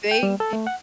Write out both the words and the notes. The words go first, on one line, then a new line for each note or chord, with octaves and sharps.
Thank you
G5
G3
A4
A3
F#5